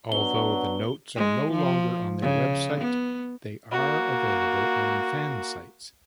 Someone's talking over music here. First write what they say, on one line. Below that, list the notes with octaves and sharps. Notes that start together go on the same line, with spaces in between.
Although the notes are no longer on their website, they are available on fansites.
F#3 B3 D4 G7
G#3
F3
C#3
B3
A#3 F#4